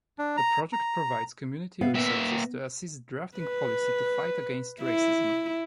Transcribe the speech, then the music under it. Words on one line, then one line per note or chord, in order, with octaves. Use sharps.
The project provides community resources to assist drafting policy to fight against racism.
D4
A#5
A#5
B3 E5 F5
A#2 B3 E5
B4
E4